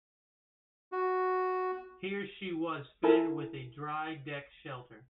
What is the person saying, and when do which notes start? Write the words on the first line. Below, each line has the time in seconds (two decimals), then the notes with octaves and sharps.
Here she was fitted with a Dry Deck Shelter.
0.92 F#4
3.04 E4 A4 A#4 G#5 A5